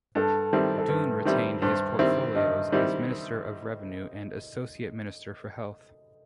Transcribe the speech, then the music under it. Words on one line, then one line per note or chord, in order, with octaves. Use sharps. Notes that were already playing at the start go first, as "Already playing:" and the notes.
Dunne retained his portfolios as Minister of Revenue and Associate Minister for Health.
G2 A4
D#3 G3 C4 E4
A4
G2 B4
D#3 G3 C4 E4
G2 C5
D#3 G3 C4 E4
G2 D#5
D#3 G3 C4 E4